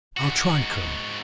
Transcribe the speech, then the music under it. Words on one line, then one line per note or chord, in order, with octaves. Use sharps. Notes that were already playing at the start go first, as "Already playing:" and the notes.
"I'll try, Colonel!"
G#2 F#4